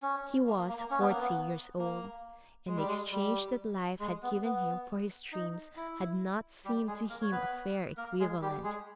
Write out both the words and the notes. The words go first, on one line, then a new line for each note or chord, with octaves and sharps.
He was forty years old, and the exchange that life had given him for his dreams had not seemed to him a fair equivalent.
C#4
A#3
A#3
A#3
A#3
C#4
B3
A#3
B3
A#3
G#3
G3
G#3
G3
G#3
B3
B3
D#4
E4
G3 G4
G#3 G#4
A#3 A#4
C#5
B3 B4
A#3 A#4
G#3 G#4
G3 G4
G#3 G#4